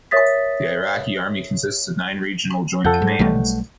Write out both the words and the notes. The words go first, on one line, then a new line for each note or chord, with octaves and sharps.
The Iraqi Army consists of nine regional joint commands.
A#4 C#5 E5 D#6 A6 B6
F2 A4 F#5 G6
G#2
B1 G3 A3